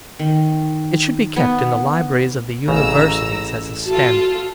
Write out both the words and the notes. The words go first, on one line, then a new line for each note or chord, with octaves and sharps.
It should be kept in the libraries of the Universities as a standard.
D#3
B3
A1 C#3 A#5 E6
F4 F#4 A4 A5